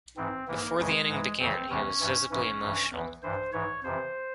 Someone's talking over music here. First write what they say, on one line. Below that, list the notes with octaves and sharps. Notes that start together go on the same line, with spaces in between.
Before the inning began, he was visibly emotional.
G#2 E3 C4
G#2 E3 A#3
F2 C#3 E3 G#3
G#2 E3
F2 C#3 E3 C4
E2 C3 E3 C#4
G2 E3
G#2 E3 C#4
G2 E3
E2 E3
G2 E3 C5
G#2 E3 C#5
F2 C3 E3 C5